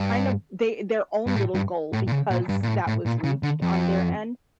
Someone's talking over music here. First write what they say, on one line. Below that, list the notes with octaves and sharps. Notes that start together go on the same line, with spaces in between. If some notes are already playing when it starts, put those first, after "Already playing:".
kind of, they their own little goal because that was reached on their end,
Already playing: G2
G2
A2
G2
A2
A#2
C#3
A#2
G2
A#2
A2
A2
A#2
C#3
D3
F2